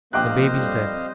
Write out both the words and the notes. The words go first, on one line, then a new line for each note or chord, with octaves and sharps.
The baby's dead.'
A#1 A#3 C5 D#5 F5 G5 D6 F#6
F2 G3